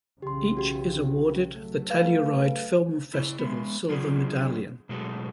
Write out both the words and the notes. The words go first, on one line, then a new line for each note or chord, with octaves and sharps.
Each is awarded the Telluride Film Festival Silver Medallion.
B1 C#3 E3 G4 C6
F#4 G4
F#3 A3
B4 F5
C#3 E4
G#3 B3
D3 F#3 F4 G#4
B2 F#3 G#3 A3 F#4 A4